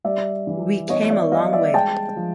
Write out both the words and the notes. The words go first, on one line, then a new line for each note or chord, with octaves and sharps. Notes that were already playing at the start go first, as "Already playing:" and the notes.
We came a long way.
G3 D5 E5
E3
B3 C#5 D#5
D5 E5
G3 D#5 F5
D5 E5
G#3 G5 A5
F3